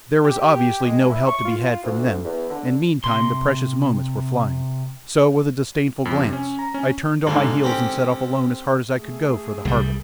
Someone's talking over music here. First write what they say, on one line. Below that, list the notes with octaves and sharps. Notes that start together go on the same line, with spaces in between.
There was obviously no help to be had from them, and meantime the precious moments were flying, so with a disdainful glance I turned on my heels and set off alone as hard as I could go for the harbour.
G4
G4
G#3
E4
C#6
F4
D2
E2
D3
C3 C6
F2
C3
C#4
A#5
C#4
G#2 D3 A#3
C4 C#4 G4
A3 G#4
C2 G3